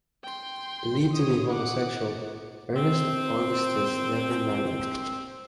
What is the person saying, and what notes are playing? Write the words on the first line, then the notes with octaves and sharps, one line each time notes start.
Believed to be homosexual, Ernest Augustus never married.
G5 C6
C#5 D#6
F#5 D6
A#2 C4